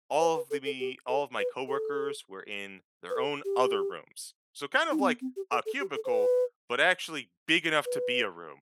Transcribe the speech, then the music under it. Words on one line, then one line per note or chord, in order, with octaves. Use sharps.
all of the me all of my coworkers were in their own other rooms, so kind of like a cubicle, but actually big enough to be a room.
C5
B4
A4
A4
G4
A4
B4
A4
B4
A4
G4
D#4
C4
B3
C4
G4
A4
A4
G4
A4
C5
B4
B4